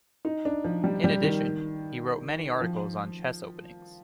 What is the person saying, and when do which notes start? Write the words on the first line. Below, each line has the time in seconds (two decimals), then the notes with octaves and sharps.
In addition, he wrote many articles on chess openings.
0.25 D#4
0.45 D4
0.64 F3
0.84 G3
1.04 G3
1.24 D#3
2.61 F3